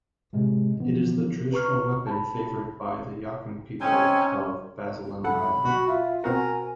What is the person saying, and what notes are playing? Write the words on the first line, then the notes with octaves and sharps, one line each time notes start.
It is the traditional weapon favored by the Yakan people of Basilan Island.
A2 C3 G#3
D3 E3 F3 B3
B4 A#5 C#6 F6
A5 B5
C4 C#4 D#4 G#5
F#2 A4 F#5 B5
B1 B2 F#4
F4 E5
B2 C4 F#4 A#4 G#5